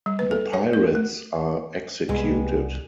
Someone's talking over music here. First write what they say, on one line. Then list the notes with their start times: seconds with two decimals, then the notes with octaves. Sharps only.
The pirates are executed.
0.06 G3
0.19 B4
0.31 A4
0.53 C#5
0.73 A#4
0.95 A3
2.09 C2 G3 G#3 B3